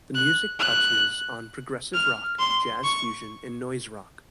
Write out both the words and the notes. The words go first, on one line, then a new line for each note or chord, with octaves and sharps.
The music touches on progressive rock, jazz fusion and noise rock.
F#6
F#6
F6
C6
C#6